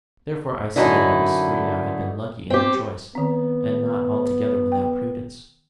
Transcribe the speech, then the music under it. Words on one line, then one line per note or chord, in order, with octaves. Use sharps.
Therefore, I say that Mrs. Greenow had been lucky in her choice, and not altogether without prudence.
F#2 D3 D#4 E4
C4 G4
D#3 B3 C4
G5